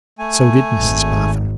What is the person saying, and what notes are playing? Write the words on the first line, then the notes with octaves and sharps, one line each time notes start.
So did Mrs Boffin.
A3 G#5
G#1